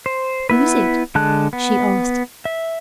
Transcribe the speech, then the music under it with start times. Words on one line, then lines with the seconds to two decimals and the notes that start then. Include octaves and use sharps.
"Who is it?" she asked.
0.06 C5
0.50 B3 E4 B4
1.15 D3 G#3 A5 F#6
1.53 B3
2.45 E5